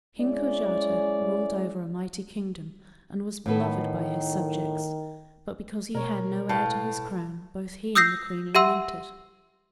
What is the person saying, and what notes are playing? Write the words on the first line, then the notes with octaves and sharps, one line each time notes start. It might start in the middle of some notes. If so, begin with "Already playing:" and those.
King Kojata ruled over a mighty kingdom, and was beloved by his subjects; but because he had no heir to his crown, both he and the Queen lamented.
G#3 C#4 E4 D5
A2 D#3 B3 A4
B2 A#4 C#5
A2 B4 F5 A5
D#6 E6 G6 A#6 C7
G4 E5 F#5 C6 E6 D#7